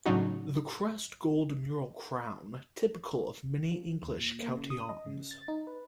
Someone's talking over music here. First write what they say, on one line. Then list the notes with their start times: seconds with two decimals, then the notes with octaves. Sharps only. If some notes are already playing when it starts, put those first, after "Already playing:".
The crest gold mural crown, typical of many English county arms.
0.06 A2 C#3 F#3 D4 D#4 F#4
3.72 F3
4.02 D#2
4.20 A#2
4.43 A#3
4.57 C#3
4.70 D#6
4.89 D#5
5.06 C#3
5.31 A6
5.48 D#4
5.67 B4